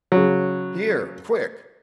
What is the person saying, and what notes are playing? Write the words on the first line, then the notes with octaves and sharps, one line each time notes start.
"Here, quick!"
C#3 F#3